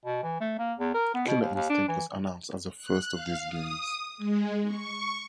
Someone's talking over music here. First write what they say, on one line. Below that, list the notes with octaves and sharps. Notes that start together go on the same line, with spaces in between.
"Killer Instinct" was announced as the first of these games.
B2
E3
A3
A#3
E2
A#4
B3
B2
D#2
D#2
D4
E3
F#6
F5
D#6
G#3
C#6